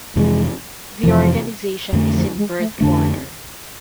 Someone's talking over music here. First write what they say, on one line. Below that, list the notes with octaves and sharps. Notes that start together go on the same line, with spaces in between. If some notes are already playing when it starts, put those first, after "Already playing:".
The organization is in birth order.
F2 C3 E3 G#3
F2 C3 E3 F3
F2 D3 A3
F3
G#3
A3
F2 D3 A3 D4